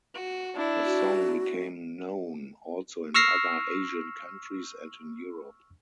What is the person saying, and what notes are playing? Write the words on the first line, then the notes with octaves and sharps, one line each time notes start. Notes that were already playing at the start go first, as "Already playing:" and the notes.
The song became known also in other Asian countries and in Europe.
F#4
D4 E4
F#4
C#6 E6 F6 A#6 C7